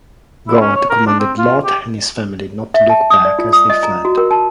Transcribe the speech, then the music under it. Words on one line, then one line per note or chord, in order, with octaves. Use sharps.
God commanded Lot and his family not to look back as they fled.
E4
C#4
C#5
A#4
D4
C4
F4
G4
E5
A5
D#6
D5
F4
D#6
D#5
A#5
F#4
A#4
A5